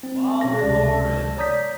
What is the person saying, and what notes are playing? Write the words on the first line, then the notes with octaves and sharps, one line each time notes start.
'Father Laurence!
C4
B2 C#4 A#6
C#2 C3 D5 A5 A#6
C#5 D5 A#5 D#6 G6 B6